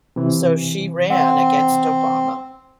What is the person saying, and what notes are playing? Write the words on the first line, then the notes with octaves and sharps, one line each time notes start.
So she ran against Obama.
C3 E3
C4 F#5